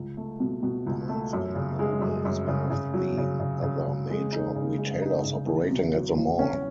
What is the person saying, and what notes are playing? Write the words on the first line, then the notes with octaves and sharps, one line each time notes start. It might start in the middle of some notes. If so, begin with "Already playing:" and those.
Barnes and Noble is one of the other major retailers operating at the mall.
Already playing: C#2
A3
B2
B2
C#2
A3
F#2
C#3
G#3
F#2
F#2
C#3
C#3
F#3
C#3
C#3
C#3
C#3
G#3
D#4
C#3
G#3
D#4
C#3
E2
B2
F#3
E2
C#4